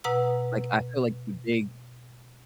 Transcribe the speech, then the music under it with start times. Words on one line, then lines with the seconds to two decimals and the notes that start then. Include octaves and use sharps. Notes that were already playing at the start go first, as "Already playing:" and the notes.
like, I feel like the big
0.04 B2 B4 F#5 A#5 E6